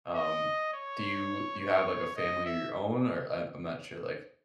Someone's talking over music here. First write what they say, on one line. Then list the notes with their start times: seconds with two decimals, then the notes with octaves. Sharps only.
Um, do you you have, like, a family of your own, or I'm I'm not sure. Like
0.15 D#5
0.73 C#5
1.60 C#5
2.16 D#5
2.45 E5